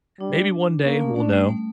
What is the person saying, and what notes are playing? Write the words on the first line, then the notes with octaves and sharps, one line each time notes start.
maybe one day we'll know.
G3 D4
A#3 C#4
A3
A3 D4
G3
A3